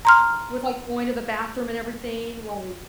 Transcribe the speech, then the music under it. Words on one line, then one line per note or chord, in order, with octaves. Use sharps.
with, like, going to the bathroom and everything, like
A#5 C6 F6